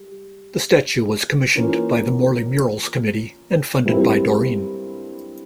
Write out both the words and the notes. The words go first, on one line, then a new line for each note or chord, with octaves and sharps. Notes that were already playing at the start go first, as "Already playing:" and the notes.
The statue was commissioned by the Morley Murals Committee and funded by Doreen.
Already playing: G3
E3 A#3 C#4 F4
G2 G3 C4 E4 A#4